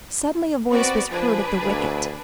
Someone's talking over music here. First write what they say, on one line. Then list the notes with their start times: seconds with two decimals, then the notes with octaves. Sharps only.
Suddenly a voice was heard at the wicket.
0.72 B3 C4 F#4 D5
1.12 F3 D4 G#4 B4
1.61 D2